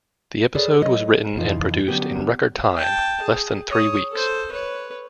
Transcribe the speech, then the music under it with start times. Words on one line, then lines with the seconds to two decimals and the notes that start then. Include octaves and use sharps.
The episode "was written and produced in record time" - less than three weeks.
0.55 G#4 A4 B4 C#5 D5
0.81 F#3 A4 B4 C#5 D#5
1.38 F2 C3 E3 D#4 F4
1.88 D3 F#3 B3 C#4 G4
2.77 G5 A5
3.22 G#4
3.70 C#5 D#6
4.12 A4 C5
4.52 B4 C#5